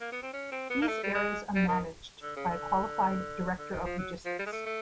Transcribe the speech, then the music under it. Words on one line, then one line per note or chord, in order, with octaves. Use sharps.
These areas are managed by a qualified Director of Logistics.
A#3
B3
C4
C#4
C4
B3
A#3
A3
G3
G#3
G3
D#3
D3
C#3
D3
D3
D#3
F3
F#3
F3
G3
G#3
A3
A3